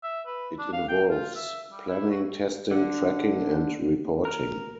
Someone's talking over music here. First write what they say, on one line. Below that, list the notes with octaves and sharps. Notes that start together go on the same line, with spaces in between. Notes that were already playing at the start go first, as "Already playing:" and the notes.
It involves planning, testing, tracking and reporting.
E5
B4
D4
F5
G5
F4
E5
G3
E4
F#4
D3
A#4